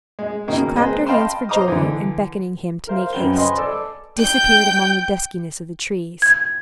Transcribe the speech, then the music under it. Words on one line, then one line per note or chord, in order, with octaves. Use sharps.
She clapped her hands for joy, and beckoning him to make haste, disappeared among the duskiness of the trees.
G#3
B2 D#3 A#3 C#4 G#4
G#3 A#3 C4 G#4 B4 D#5
D#5 F5 G5 A5 B5 C6
C5 D#5 A#5 D6 D#6
D3 E3
A#4 C5 F5
F#2 C#4 F#4 B4 G5 G7
B4 C5 D#5 G#5 C6
A4 D5 D6 E6
G5 G6
G#6